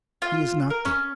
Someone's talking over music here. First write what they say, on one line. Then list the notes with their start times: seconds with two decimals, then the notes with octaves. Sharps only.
He is not dead.
0.22 F4
0.70 A#4
0.85 C#4